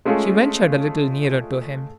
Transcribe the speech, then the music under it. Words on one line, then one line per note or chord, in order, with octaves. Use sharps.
She ventured a little nearer to him.
G#3 A3 C#4 F4 G#4 A4